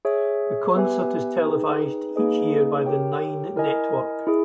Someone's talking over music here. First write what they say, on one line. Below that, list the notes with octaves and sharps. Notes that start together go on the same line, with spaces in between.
The concert is televised each year by the Nine Network.
G#4 C#5 E5
B3 G4 B4 E5 G#5
D#4 G#4 B4 G5
A#3 D#4 G#4 B4 D#5
G4 A#4 C#5 G5
E4 A#4 D#5 G#5
E4 G#4